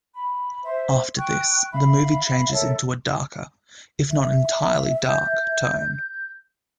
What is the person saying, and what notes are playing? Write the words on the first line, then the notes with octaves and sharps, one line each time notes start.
After this, the movie changes into a darker, if not entirely dark, tone.
B5
C5 E5
G5 C#6 F#6
E5 F5 B5
A4 A#4 C#5 E5
E5
G6